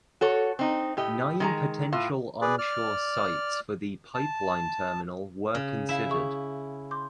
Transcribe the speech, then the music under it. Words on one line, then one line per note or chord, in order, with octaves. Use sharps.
Nine potential onshore sites for the pipeline terminal were considered.
F#4 A4 C#5
C4 D#4
A2 G4 D#5
D#3 G#3 A#5
A2 F4
G#4 B4 D5
D5 F6
A5
C#3
E4 F5 B6 E7
G#4 E5 C#6
C6 D6 G6